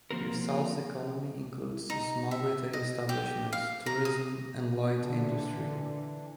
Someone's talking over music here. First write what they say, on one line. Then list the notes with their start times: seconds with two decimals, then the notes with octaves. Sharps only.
Hirsau's economy includes small retail establishments, tourism, and light industry.
0.11 F3 A#3 C4 F#4 A#4
1.90 D#4
2.31 E5
2.73 D#5
3.09 G4
3.53 F5
3.86 A#5
4.05 D#6
4.97 A#2 D3 E3 D4